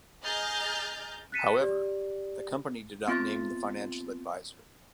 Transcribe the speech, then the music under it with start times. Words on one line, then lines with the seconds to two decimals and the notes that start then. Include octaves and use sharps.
However, the company did not name the financial adviser.
0.24 G#4 D#5 A#5 F6 G6 A6
1.32 F#6 A6 B6 C#7 D#7 E7
1.60 G4 D5
3.08 B3 C4 F4 C6 A6